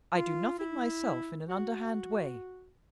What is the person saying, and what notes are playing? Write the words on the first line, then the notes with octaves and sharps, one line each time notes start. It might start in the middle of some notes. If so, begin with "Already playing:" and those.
I do nothing myself in an underhand way.
F4
E4
F#4